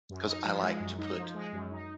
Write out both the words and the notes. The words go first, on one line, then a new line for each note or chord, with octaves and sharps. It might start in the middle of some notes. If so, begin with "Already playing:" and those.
'cause I like to put,
F#2
D#4
F3
G#3
F#2
D#4
F3
G#3
F#2
D#4